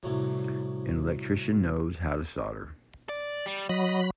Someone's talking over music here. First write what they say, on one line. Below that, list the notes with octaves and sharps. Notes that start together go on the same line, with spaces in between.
An electrician knows how to solder.
C2 A2 F#3
D5
G3
F#3 D#5 B5